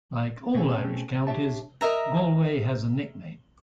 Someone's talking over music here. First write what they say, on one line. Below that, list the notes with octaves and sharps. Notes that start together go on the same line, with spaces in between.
Like all Irish counties Galway has a nickname.
B2 A3 C4 C#4 G#4 A4
D4 G4 C#5 E5 A5
A#4 D#5 E5 A#5